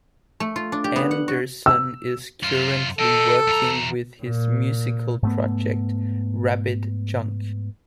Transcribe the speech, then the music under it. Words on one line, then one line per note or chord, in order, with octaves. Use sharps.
Anderson is currently working with his musical project Rabbit Junk.
A3
F4
D4
G4
B3
F#5
F#4
E6
F#2 F4
A4 D#5 G5
E2 A#5
A#2
G#2 A3 B3